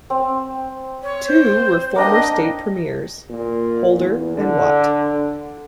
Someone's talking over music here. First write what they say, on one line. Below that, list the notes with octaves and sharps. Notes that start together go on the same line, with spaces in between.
Two were former state premiers: Holder and Watt.
C4
C#5
C5
A#3 D4 D#5 G5
A#2
E2
D3